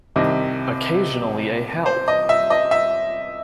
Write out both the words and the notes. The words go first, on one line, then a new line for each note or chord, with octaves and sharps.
Occasionally a Help!
C2 C3 D#3 D#5
C5
D#5
E5
D#5
E5